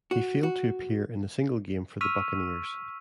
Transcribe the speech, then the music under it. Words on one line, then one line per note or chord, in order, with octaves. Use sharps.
He failed to appear in a single game for the Buccaneers.
F#4
F#4
C#6 E6 F6 B6 D#7 F7